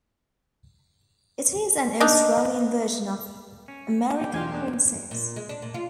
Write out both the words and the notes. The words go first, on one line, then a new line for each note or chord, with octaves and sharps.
It is an Australian version of "American Princess".
D4 D#4
C#4
G4
B1 E2 D#4 F4 C5 G#5
A#3 D4
A#2
G#3
D4
A#2
F4